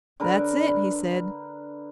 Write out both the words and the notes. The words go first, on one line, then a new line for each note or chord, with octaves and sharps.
"That's it," he said.
D3 A#4 B4